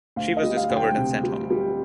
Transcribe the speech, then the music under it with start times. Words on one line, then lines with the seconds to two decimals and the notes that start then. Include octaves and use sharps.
She was discovered and sent home.
0.16 D2 F5
0.37 D#5
0.43 G3
0.57 F5
0.70 D2
0.76 G5
0.97 C3
1.23 G3
1.50 G3